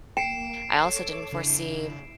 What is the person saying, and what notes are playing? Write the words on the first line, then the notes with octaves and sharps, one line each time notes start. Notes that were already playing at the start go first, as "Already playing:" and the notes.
I also didn't foresee
A#3 G5 C7 D7 E7
A4 C#5 D6
C#3 D4 E4